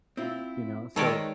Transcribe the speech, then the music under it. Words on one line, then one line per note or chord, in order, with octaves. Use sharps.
You know? So
C4 E4 F4
D#3 G#3 A4 B4 C#5 D5 G5